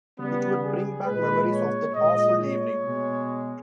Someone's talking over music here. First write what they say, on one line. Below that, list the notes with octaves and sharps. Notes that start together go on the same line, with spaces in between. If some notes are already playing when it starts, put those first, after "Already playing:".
It would bring back memories of that awful evening.
C#3 G3 B3
G#4
A#2 G#3 B4
C#5
A#2 G#3 D#5
C#5
B2 G#3